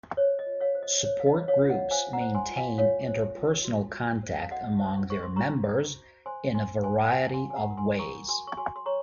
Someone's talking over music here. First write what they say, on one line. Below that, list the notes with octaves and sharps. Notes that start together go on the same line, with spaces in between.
Support groups maintain interpersonal contact among their members in a variety of ways.
C5 C#5
D#5
F4
C#5 F5
C5
D#5
C5 C#5
F5
D#5
C5
C#5 F5
F4 F5
D#5 F#5
C5 F5 G#5
F#5 A#5
C5
G#5 C6
F4
F5 G#5
F4 C#5 F5
C5
F4
F#4
F#4
C5
F5
F#4 D#5 F#5
C5
C5 C#6
C6
F#4 A#5 C#6
C5
F#4
C5 G#5 C6
C5 G#5 C6
C5 G#5 C6
F#5
F#4 F5 G#5
G#5 C6
F#4
G#5
F#5 A#5
A#4
G#5 C6
A#4 A#5 C#6
F#4 G#5 C6
C#6
F#4 G#5 C6
C6
C#5 A#5 C#6